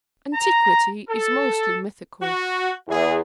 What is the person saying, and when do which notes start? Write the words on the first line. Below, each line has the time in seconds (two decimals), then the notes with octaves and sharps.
Antiquity is mostly mythical.
0.34 A#5
1.10 A4
2.21 F#4
2.88 E2 E3 G#4